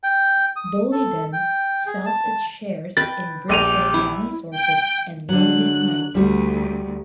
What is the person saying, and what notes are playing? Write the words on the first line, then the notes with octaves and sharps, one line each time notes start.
Boliden sells its shares in Breakwater Resources and Lundin Mining.
G5
D#6
A4
G5
G#4
A5
B4 G5 A6
A#1 G4 D#7 F7
E4
G5
D3 F#3 F#6
D2 G3 F#4